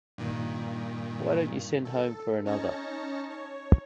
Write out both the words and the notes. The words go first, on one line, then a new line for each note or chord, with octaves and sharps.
Why don't you send home for another?
G2 A#2 D#3
A4
C#4 D#4 C#5 A5 A#6 C#7
C#5